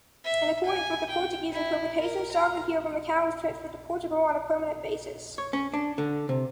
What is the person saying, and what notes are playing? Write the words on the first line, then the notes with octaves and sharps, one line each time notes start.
In accordance with the Portuguese interpretation, sovereignty over Macau was transferred to Portugal on a permanent basis.
E5
G#5
G5
E4
A#4
A#5
C#5
C#4
D4
D3
C3